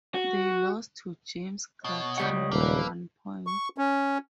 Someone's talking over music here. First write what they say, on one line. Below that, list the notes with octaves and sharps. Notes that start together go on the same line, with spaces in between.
They lost to James Grattan by one point.
F#4
B2 C#5 D#5
C#2 G3 F#5
D#1 A#3 A4 B4
C#6
C#4